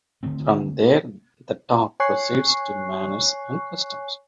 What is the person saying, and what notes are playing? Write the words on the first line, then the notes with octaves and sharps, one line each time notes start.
From there, the talk proceeds to manners and customs.
D3 D#3 A3 C4
C#5 G#5 C#6 F#6 C7